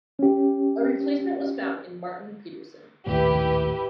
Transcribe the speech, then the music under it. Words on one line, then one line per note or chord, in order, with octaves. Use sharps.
A replacement was found in Martin Pedersen.
C#4 G4
A#1 D#2 A2 E4 G4 B4